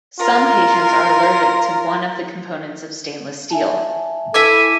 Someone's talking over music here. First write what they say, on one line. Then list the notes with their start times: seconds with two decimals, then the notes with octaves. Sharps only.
Some patients are allergic to one of the components of stainless steel.
0.20 F4 A#4
3.50 E5 G#5 A5
4.34 E4 A4 E5 G#5 D6 B6 D#7